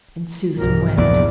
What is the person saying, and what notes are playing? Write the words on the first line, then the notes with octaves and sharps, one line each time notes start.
And Susan went.
C2 G#2 A#4
F1 A#1 E2 D5